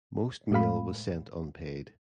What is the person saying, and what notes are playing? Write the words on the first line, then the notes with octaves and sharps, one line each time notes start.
Most mail was sent unpaid.
A2 G#3 A3 F5 B5